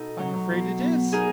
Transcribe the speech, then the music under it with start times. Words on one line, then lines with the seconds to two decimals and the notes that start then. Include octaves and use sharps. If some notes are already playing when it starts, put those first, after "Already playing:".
"I'm afraid it is."
Already playing: B2 D#4 A4
0.19 F#3
0.51 B2
0.81 B3
1.13 D#4 G#4 A#4